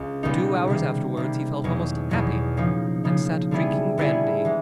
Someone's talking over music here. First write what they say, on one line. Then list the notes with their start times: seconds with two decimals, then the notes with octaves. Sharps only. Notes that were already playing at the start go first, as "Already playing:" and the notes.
For two hours afterwards he felt almost happy, and sat drinking brandy.
Already playing: C#2
0.23 C#2 B2 G3 B3 D#4
0.67 C3 D#3 G3 A#3
1.17 C3 D#3 G3 A#3
1.64 E2 B2 F#3
2.11 E2 B2 F#3
2.57 C#3 F3 A#3 D#4
3.04 C#3 F3 A#3 D#4
3.51 D3 G3 B3 E4 G#4
3.98 D3 G3 B3 E4 G#4
4.45 E3 G#3